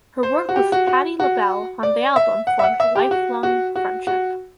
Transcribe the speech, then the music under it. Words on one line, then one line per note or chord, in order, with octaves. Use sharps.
Her work with Patti LaBelle on the album formed a lifelong friendship.
C5
F#4
G4
F#4
F#4
F#4
D5
E5
F#5
E5
F#5
E5
G4
F#4
F#4
F#4
F#4